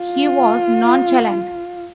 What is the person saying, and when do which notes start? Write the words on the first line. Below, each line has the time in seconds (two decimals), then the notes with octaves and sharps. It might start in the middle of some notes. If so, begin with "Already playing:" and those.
He was nonchalant.
Already playing: F4